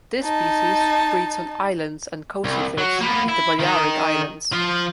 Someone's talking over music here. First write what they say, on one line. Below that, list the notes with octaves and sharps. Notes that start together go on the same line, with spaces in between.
This species breeds on islands and coastal cliffs in the Balearic islands.
D#4 A5
C2
F#3 F#4
A#3 B3
E4
D#3 D#4
F3 F4